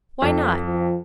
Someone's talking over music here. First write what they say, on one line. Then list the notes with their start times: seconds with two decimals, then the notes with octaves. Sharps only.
"Why not?"
0.22 F2
0.65 F3